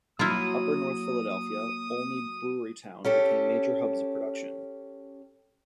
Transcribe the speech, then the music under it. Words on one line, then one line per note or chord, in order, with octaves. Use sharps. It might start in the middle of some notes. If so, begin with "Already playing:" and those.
Upper North Philadelphia, Olney, Brewerytown, became major hubs of production.
F#3 A#3 E4 F4 D#6
C#4 G4 A4